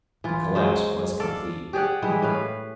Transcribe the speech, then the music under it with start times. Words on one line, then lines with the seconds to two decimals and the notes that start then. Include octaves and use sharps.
The collapse was complete.
0.24 E3 F4
0.55 F#3 G#3 C5
1.20 A4 D5 F5
1.73 G4 G#4 D5 F#5
2.02 E3 G3 G#3 E4
2.22 A2 B4 F5